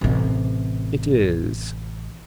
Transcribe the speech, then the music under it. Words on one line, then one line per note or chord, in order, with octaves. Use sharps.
It is.
A1 C3